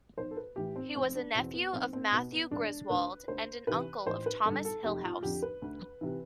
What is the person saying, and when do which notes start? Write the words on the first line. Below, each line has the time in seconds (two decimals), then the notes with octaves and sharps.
He was a nephew of Matthew Griswold and an uncle of Thomas Hillhouse.
0.17 B1 C5
0.31 A4
0.37 B4
0.56 A2 E3 G4
0.76 C4
0.95 F1 C4
1.15 D4
1.34 E2 B2 C4
1.54 B3
1.73 B1 C4
1.93 C4
2.12 B2 B3
2.32 B3
2.50 E1 D4
2.89 D2 D3 B4
3.28 D2 C5
3.67 C3 E3 B4
4.06 A1 C5
4.26 B4
4.45 G2 D3 A4
4.65 A4
4.84 F1 G4
5.04 F4
5.23 F2 D3 G4
5.42 B4
5.62 D2
6.01 C3 E3